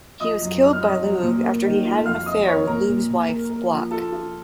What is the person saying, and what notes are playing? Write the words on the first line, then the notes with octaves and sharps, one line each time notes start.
He was killed by Lugh after he had an affair with Lug's wife Buach.
F3 D#5 D#6
F#2
D#4
F6
C4 D#5 D#6
F#3
A#2
A#3
D#3
F4
F2 F5 F6
C4 D#5 D#6
C4 C#5 C#6
A#2 A#4 A#5
A#2
A#2
A#4
A#4
F3
F4 A4 A5
F4